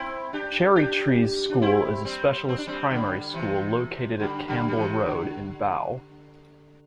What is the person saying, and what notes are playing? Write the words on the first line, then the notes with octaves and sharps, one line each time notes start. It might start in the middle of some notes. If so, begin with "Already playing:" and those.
Cherry Trees School is a specialist primary school located at Campbell Road in Bow.
Already playing: C4 E4
D4 G4
D4 G4
D4
C4 E4
G3 C4
C4
D4
G3 C4
D3 G3
C3 E3
D3 G3
D3 G3
G3
C3 E3
D3